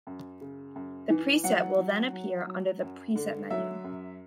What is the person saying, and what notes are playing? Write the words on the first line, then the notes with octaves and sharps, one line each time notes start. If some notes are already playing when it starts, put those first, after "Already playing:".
The preset will then appear under the preset menu.
F#2
C#3
F#2
E3
F#3 F#5
F#3
F#3
F#3
F#2
D3
F#3 E5
F#2